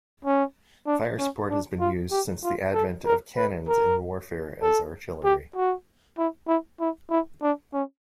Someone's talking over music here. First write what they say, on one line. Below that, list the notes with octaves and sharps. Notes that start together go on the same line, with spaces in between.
Fire support has been used since the advent of cannons in warfare as artillery.
C#4
D4
C#4
D4
F4
G4
F4
A4
A#4
B4
A#4
A4
G4
F#4
E4
E4
E4
E4
D4
C#4